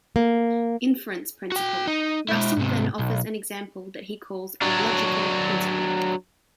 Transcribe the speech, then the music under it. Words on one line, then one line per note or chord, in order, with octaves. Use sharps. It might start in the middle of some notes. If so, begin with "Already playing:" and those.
Inference principle: Russell then offers an example that he calls a "logical" principle.
A#3
F#4 G5
D#4
G#3 E4
G#2 C3
B1
F#3 D4